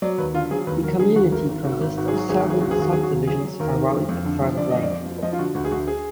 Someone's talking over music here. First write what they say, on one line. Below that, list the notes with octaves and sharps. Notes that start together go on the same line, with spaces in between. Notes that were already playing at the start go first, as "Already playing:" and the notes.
The community consists of several subdivisions around an private lake.
F#3 D5
D#2 B4
D3 F4
F#3 G#4
D#2 B4
F#3 A#4
D3 G#4
D#2 F#4
G#1 A#4
G#1
G#1 F#4
G#1
G#2 F#4
G#4
F#3 F#4
G#1 G#4
F#4
G#1 G#4
D#2 F#4
G#4
D#2 F#4
F#3 G#4
F#4
D#2
F#3 G#4
F#3
D#2 A#4
D#3
F2
F2
D3
F3
D3 D5
F2 D#5
D5
F2
F3
F3 D#5
F4
D3 F#4
D2 F#4
G#4
D2 F#4
G#4